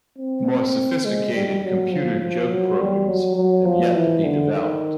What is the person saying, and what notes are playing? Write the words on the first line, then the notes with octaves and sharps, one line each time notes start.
More sophisticated computer joke programs have yet to be developed.
C4
G#3
G3
F#3
F3
F3
F#3
G3
F#3
F#3
F3
E3
D3
D#3